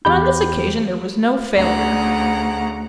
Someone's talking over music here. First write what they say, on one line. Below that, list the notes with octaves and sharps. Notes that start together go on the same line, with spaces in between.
But on this occasion there was no failure.
E2 G4 B5 G6
D2 C#3 F#5 A#5